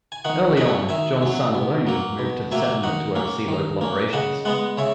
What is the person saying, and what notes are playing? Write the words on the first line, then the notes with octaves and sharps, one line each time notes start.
Early on, John's son Aloney moved to the settlement to oversee local operations.
G#5
D#3 D#5 F#5
F#3 C#4 D#5 F#5
D#3 E5 G#5
F#3 C#4
B2
F#3 A#3
B2
F#3 A#3 E5 G#5
D#3 D#5 F#5
A#3 C#4
D#3
A#3 C#4
C#3 D#5 F#5
G#3 B3 D#5 F#5
C#3 C#5 E5